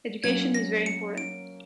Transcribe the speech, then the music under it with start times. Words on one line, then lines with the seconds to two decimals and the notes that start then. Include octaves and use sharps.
Education is very important.
0.23 F#3 A#3 C#4 G#6
0.54 A#6
0.86 C#7
1.18 D7